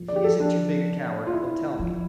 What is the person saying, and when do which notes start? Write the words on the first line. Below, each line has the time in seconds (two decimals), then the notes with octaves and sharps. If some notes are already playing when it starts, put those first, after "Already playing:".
If he isn't too big a coward, he'll tell me.
Already playing: F3
0.08 D5
0.16 G4
0.24 A4
0.40 D4
1.27 F4
1.33 E4
1.79 F3